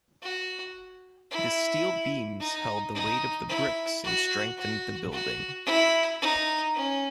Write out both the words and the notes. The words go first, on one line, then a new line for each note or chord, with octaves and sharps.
The steel beams held the weight of the bricks and strengthened the building.
F#4
E4
D#4
D#4
E4
F#4
F#4
F#4
E4
D#4
C#4